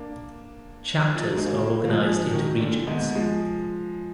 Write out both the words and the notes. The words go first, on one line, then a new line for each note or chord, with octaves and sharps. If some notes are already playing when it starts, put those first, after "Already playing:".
Chapters are organized into regions.
Already playing: A#3 D4
F3
F#3
G#3
F#3 A#3
A#3
F3 G#3
D#3 F#3
A#2 D3
G#2 B2
F3 G#3